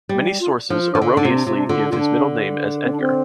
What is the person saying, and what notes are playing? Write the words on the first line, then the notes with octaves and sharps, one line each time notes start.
Many sources erroneously give his middle name as Edgar.
G3 G4
F4
F3 D4
F4
F3 D4
D3 F4
D3 D4
C3 F4
D4
C3 F4
D4
D3 F4
D4
D3 F4
D4
C4
D4
C4